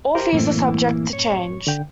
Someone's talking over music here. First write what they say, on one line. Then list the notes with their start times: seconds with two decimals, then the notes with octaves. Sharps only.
All fees are subject to change.
0.15 G4 A#4 C5
0.33 F#2 A2 E3 A#3 C4 E4
1.13 C#5
1.67 D3 G5